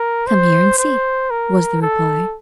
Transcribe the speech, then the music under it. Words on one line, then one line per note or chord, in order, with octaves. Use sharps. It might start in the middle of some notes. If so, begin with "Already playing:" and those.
"Come here and see," was the reply.
Already playing: A#4
C5
C5
A#4
A4